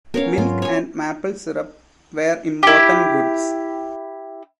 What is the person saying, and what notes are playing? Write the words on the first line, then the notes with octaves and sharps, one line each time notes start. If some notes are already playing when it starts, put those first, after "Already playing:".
Milk and maple syrup were important goods.
B3 C#4 A#4 C#5 F5
G#2 F#3 F4
C#5 G#5
E4 G4